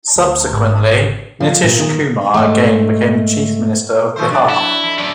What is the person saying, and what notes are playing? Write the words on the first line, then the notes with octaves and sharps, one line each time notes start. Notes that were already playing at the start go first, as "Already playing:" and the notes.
Subsequently, Nitish Kumar again became the Chief Minister of Bihar.
D2
G#1
F3
A#2
D#3
G#2 A3
E3 A3 C5
F#3 D4 D5
E4
F2
F#2 E4 D5